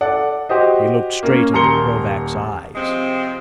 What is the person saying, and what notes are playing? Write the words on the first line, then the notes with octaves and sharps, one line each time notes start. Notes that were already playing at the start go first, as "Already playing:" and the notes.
He looked straight into Krovac's eyes.
A4 D5 F#5
F#4 G4 C5 D#5
A#3 C#4
D#1 A#4 A#5 C6 C#7 G7
C3 F3 G#3 C4